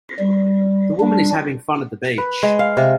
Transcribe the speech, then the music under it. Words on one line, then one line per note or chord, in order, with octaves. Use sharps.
The women is having fun at the beach.
G3
G3 D4
B4
G#3
F5
C3